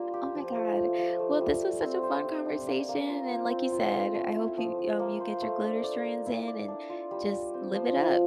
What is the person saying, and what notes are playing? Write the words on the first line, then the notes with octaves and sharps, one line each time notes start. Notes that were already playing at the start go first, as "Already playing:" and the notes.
Oh, my god. Well, this was such a fun conversation, and like you said, I hope you um, you get your glitter strands in and just live it up.
Already playing: G3 A#3 D4 F4
G4
F3
A3
F3
F3
A3
G3
G3
C4
C5
G3
D4
A#3
A#3
F4
C4
C4
F4
A3
A3
E4
F3
F3
A#3
C5
A3
D4
D5
A#3
E4
D5
D4
F4
G3
G3
C4
F3
F3